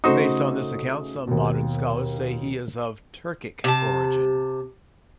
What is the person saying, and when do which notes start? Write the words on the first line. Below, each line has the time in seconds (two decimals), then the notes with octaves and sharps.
Based on this account, some modern scholars say he is of Turkic origin.
0.04 C#3 A3 D#4 F#4 C5 D#6
1.27 D#2 B2
3.64 C3 A5